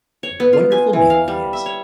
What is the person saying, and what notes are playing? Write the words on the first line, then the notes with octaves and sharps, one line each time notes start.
A wonderful man he is.
C#5
B3
F4
G#5
E3
F5
G3
E5
C#5